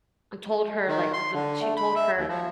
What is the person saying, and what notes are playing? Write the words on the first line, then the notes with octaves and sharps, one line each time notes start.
uh, told her, like, that she told her,
D#3
C6
D3
A3
B5
E5
D#2
F3